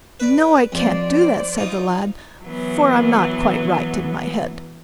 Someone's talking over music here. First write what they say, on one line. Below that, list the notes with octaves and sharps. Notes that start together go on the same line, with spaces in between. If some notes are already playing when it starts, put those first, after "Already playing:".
'No, I can't do that', said the lad; 'for I'm not quite right in my head.'
B4 D5
F2 C5 D5
D#4 F4
E3 F#3 B3